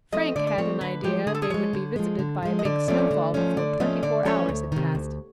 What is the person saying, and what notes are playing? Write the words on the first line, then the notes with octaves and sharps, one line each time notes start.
Frank had an idea they would be visited by a big snowfall before twenty-four hours had passed.
F3 A3 C4 D#5
D3 D5
D5
F3 A3 C4 C#5
D3 B4
F3 G#3 G4
D3 G#4
A4
G#4
F3 G#3 C#5
D3
F3 G#3
D3
F3 G#3
D#5
D3 D5
F3 A3 C#4 D5
D3
F3 A3 C#4
D3 D5
F3 A3 C#4 D#5
D3 D5
F3 A3 C#4 C#5
D2
C3 D#3
D2